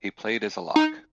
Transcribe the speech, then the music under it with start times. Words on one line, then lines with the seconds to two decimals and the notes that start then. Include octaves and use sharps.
He played as a lock.
0.76 D#4